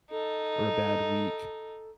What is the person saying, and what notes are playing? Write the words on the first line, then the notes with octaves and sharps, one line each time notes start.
or a bad week,
D#4 A4